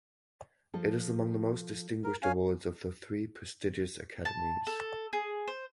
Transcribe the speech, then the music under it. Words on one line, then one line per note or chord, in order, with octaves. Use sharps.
It is among the most distinguished awards of the three prestigious academies.
F3 A4
A#4
C#4 F5 G#5
A5
A4
G#4
C5